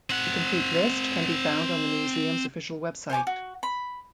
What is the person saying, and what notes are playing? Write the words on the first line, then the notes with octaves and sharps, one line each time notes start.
A complete list can be found on the museum's official website.
C4 F#5
C5 C#5 G#5 D6
F#4
B5